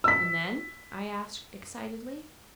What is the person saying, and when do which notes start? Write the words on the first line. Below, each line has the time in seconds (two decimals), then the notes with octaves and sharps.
"And then?" I asked, excitedly.
0.04 E6 B6